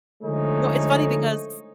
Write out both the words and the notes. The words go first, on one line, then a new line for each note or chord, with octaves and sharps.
No, it's funny because
D3 F3 G#3 A3 D#4 C#5